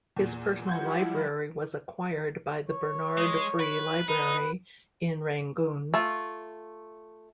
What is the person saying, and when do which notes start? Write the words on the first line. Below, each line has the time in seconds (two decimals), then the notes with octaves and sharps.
His personal library was acquired by the Bernard Free Library in Rangoon.
0.16 E2 A#2
0.67 F3 G3 E4 F#5 C6 G6 G#6
2.69 C#5
3.17 G#3
3.60 B4
4.08 D#4 B4
5.94 A3 F4